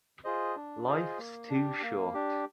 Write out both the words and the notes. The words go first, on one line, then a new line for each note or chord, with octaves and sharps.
Life’s too short.
F4 G#4 C5 D#5
D4
F4 G#4 C5 D#5
A#3
D4 G4
A#3
D4 G4